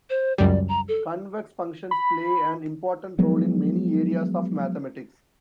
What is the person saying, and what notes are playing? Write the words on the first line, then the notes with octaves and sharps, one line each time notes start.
Convex functions play an important role in many areas of mathematics.
C5
C#2 F#2 G3 D5
A#5
A4
B5
F3 F#3 G#3 B3